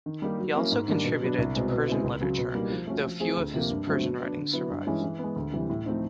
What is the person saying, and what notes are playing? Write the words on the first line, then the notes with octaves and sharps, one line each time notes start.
He also contributed to Persian literature, though few of his Persian writings survive.
D#3
G3 A#3 D#4 G4
F#3
A#3 C#4 E4
G#2
D#3 G3 A#3 D4
B2
F#3 B3 D4
C2
B2 G#3 C4
B2
G#3 C4 E4
C#2
C#3 F#3
B2
G3 A#3 D#4
F3
A3 C#4 F#4
F3
A3 C4 F4 G#4
D2
C3 F3 A#3
G2
D3 F#3 A3 C4
F#3
B3 D4
D3
F#3 B3 E4
G2
E3 G#3 C#4 E4
E3
G#3 B3
D2
C3 E3 G3
A2
F3 A3 C4 D#4